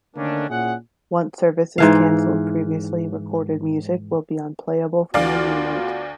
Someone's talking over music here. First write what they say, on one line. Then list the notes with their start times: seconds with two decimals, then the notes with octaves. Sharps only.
Once service is canceled previously recorded music will be unplayable from the unit.
0.15 D3 D#3 A3 A#3 C#4 D4
0.49 A#2 C#4 E4 G#4 F#5
1.78 G#2 E3 F5
5.14 D2 B3 F4 F#4 D5 F5